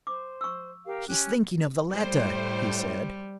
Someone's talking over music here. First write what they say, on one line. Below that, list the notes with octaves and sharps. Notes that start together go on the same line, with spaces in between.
"She's thinking of the letter," he said.
C5 D6
C#6 E6
G4 A#4 F5
C#4 G4 F#6
A2 G3 C5